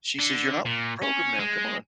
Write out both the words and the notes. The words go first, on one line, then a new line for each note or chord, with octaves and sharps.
She says, "You're not programmed now, come on.
D3
A#2
C#4
G#3